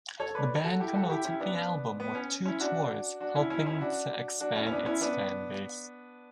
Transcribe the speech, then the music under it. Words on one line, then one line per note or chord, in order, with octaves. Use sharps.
The band promoted the album with two tours helping to expand its fan base.
A4 C#5
B4 D5
F#4 A4
E4 G4
F#4 A4
E4 G4
C#4 E4
B3 D4
B3
C#4
C#4 E4
D4 F#4
D4 F#4
C#4 E4
C#4 E4
C#4 E4
D4 F#4
D4 F#4
C#4 E4
C#4
B3 D4
C#4 E4
B3 D4